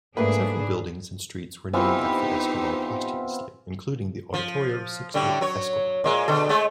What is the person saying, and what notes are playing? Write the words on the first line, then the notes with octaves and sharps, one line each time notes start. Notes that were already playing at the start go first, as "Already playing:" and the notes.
Several buildings and streets were named after Escobar posthumously, including the "Auditorio Sixto Escobar".
G#2 A3 A#3 D4 G#4 B4
E3 B3 C4 D#4 F4 G4 C5
F3
A2 D3 G3
F#3 C#5
A#2 G#3
B2 D3 A4
G#3 A3 C#5